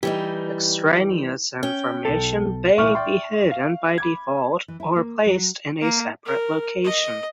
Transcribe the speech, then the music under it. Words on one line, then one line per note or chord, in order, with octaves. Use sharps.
Extraneous information may be hidden by default or placed in a separate location.
E3 G3 D#4 G4
C#4 G5
B1 A4
C2 A#2 E3 E5 C#6 F6
D5 G5 C6
F5
B5 D6 G#6
E3
E4
A#3
F#3
A#3
A#4
D#5